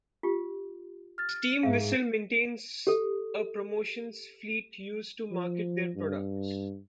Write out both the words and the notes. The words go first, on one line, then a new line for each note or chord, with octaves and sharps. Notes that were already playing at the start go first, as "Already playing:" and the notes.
Steam Whistle maintains a promotions fleet used to market their products.
F4 G4
F6 A6
G#2 G#4 E5 F5
G4 A4
F3
G2